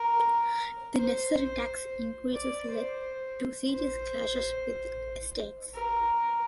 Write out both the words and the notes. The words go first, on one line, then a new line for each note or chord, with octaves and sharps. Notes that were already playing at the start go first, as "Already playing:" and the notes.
The necessary tax increases led to serious clashes with the estates.
Already playing: A#4
C5
D5
C5
C5
A#4